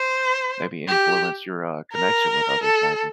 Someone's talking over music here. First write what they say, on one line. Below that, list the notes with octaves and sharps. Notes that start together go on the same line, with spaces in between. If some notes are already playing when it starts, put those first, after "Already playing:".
maybe influence your, uh, connection with others maybe?
Already playing: C5
G4
A#4
A4